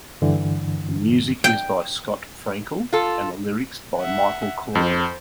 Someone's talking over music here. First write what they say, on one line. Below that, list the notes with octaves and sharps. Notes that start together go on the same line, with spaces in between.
The music is by Scott Frankel and the lyrics by Michael Korie.
G2 D3 E3
G5
F4 A4
E5 F#5
F2 C5